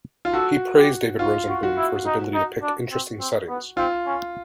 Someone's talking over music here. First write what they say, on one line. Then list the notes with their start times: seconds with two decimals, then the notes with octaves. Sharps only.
He praised David Rosenboom for his ability to pick interesting settings.
0.25 F4
0.33 F#4 A4
0.76 G4
1.19 F4 F#4
1.49 F#4
1.63 F#4
1.77 E4
2.06 D#4
2.34 D#4
2.62 D4
2.91 C4
3.20 C4
3.49 B3
3.77 C4 F4
4.06 C#4